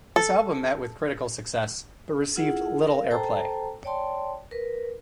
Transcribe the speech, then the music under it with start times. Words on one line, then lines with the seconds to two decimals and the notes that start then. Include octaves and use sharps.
This album met with critical success but received little airplay.
0.16 A4
2.36 E4 F4 G#4 F#5
2.87 A#4 F5
3.10 A4 C5 G5 A5 A#5
3.84 C#5 D5 G5 A5 C6
4.51 A#4 B4